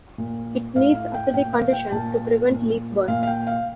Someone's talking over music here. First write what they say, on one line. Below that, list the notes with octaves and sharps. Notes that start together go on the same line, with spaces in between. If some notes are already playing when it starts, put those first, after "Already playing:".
It needs acidic conditions to prevent leaf burn.
A#2
A2 F5
F5
G5
A#2 G5
F5
G5
A#2 A5
A#2
A#2 F5
F5
G5
F5